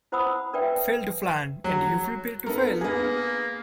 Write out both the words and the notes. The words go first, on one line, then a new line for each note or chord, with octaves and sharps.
Fail to plan, and you Prepare to fail.
E4 C5 F#5 B5 D#6 E6
D4 A#4 B4 D5 E5 G5
F#3
B3 A4 A#4
A#3 B3 G#4